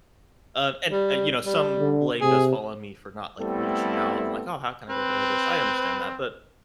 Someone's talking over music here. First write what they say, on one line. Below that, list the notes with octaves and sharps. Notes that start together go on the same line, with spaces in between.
Um, and, uh, you know, some blame does fall on me for not, like, reaching out and, like, "Oh, how can I get better at this?" I understand that, but
G3
G3
D3
C3 G#4
G3 A3 B3 C4 E4 A4
C4 B4